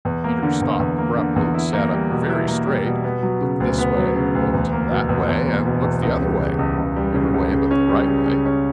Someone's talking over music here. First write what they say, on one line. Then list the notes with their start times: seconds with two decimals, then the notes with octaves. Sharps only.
Peter stopped abruptly, sat up very straight, looked this way, looked that way and looked the other way, every way but the right way.
0.05 E2
0.24 A#3
0.43 D3
0.61 E2
0.80 E2
0.98 A#3
1.17 D3
1.36 E2
1.54 E4
1.73 A#3
1.92 G3
2.10 B2
2.29 E4
2.48 A#3
2.67 G3
2.85 B2
3.04 B3
3.23 F#3
3.41 C#3
3.60 D2
3.78 B3
3.97 F#3
4.16 C#3
4.35 D2
4.53 E2
4.72 A#3
4.91 B2
5.09 E2
5.28 E2
5.46 A#3
5.65 B2
5.84 E2
6.03 C#2
6.21 G3
6.39 C#3
6.59 C#2
6.78 C#2
6.96 G3
7.14 C#3
7.34 C#2
7.52 C#3
7.71 C#4
7.89 G3
8.07 C#3
8.26 C#3
8.45 C#4